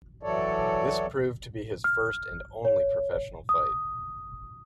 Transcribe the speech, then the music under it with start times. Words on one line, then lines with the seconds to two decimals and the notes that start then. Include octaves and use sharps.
This proved to be his first and only professional fight.
0.23 E3 F#3 A4 C#5 D5
1.84 F6
2.65 C#5
3.49 D#6